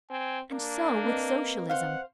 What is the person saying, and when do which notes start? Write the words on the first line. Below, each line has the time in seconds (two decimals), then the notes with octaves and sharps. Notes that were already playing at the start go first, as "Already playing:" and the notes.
And so with Socialism.
0.10 C4 G#5
0.52 A#3 D4
1.04 C4 B4 D#5
1.69 C5 F5 F#5